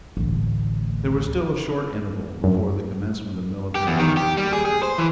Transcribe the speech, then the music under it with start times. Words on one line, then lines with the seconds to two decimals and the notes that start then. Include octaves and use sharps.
There was still a short interval before the commencement of military operations.
0.17 A1 D2
2.44 F#2
3.75 G4
3.87 E2
3.99 D#3
4.17 G4
4.37 G3
4.53 G#4
4.65 G#4
4.83 C5
4.98 E3